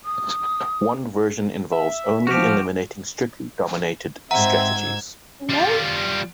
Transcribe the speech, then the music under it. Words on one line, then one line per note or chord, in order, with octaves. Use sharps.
One version involves only eliminating strictly dominated strategies.
D#6
E5
F3 F#4 G4 F6
G#2 C4 E5 F#5 A#5 E6 G#6
G3 F4